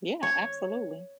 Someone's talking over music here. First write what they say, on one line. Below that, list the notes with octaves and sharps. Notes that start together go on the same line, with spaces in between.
Yeah, absolutely.
C#5